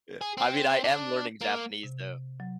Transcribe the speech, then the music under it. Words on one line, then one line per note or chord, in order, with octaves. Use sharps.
Yeah. I mean, I am learning Japanese though,
G#4
C4
D4
A#3
C3
F#3